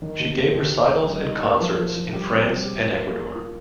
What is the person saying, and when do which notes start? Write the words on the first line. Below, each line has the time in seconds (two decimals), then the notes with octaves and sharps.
She gave recitals and concerts in France and Ecuador.
0.02 D#3
0.20 D#2
0.37 D#2
0.55 D#2
0.72 G4
0.89 D#4
1.07 G3
1.24 D#4
1.43 A#3
1.60 F3
1.77 F3
1.95 F3
2.13 G3
2.30 C4
2.48 G3
2.65 G4
2.82 F4
3.00 A#3
3.18 A#3
3.35 F4